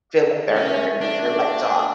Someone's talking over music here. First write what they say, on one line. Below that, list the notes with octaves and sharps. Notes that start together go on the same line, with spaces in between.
feel like they're hurt and and the lights off.
A3 C#4
D4